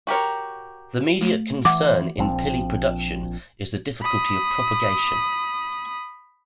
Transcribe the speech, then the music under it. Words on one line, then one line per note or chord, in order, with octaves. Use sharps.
The immediate concern in pili production is the difficulty of propagation.
F#4 G4 A#4 C#5
A3
E3 F#5 D6
A#1 F3 C4
B5 D#6